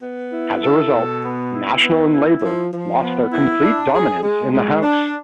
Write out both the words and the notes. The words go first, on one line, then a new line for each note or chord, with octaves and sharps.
As a result, National and Labour lost their complete dominance in the House.
B3
E4
A4
B2
B3
E4
B3
E4
F3
F3
B3
E4
D4
G#4
G#3
G#3
D4